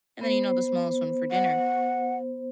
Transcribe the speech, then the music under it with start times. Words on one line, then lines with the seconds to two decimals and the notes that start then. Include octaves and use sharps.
and then, you know, the smallest one for dinner,
0.21 B3 C5
1.31 F#5